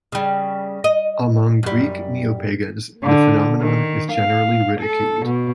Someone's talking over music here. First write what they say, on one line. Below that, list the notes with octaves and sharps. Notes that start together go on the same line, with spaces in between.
Among Greek neopagans the phenomenon is generally ridiculed.
C#3 G3
D#5
F#2 G3
D3
D#3
F5
A4
B2